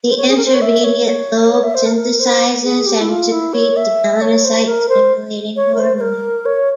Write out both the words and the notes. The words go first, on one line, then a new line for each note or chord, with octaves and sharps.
The intermediate lobe synthesizes and secretes melanocyte-stimulating hormone.
C5
C#5
G#4
A#4
C5
C#5
E5
C#5
C#5
C#5
E5
C5
A#4
A#4
C5
G#4
G4
E4
F4
E4
C#5
E5
C#5
C5
A#4
C5
C#5
A#4
C5
C5
A#4
C#5